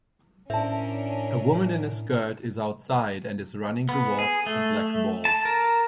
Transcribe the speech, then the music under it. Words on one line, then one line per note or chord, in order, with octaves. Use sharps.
A woman in a skirt is outside and is running toward a black ball.
A2 C#4 D4 A#4 C5 E5 A5
B3
G#4
A3
A5
A#4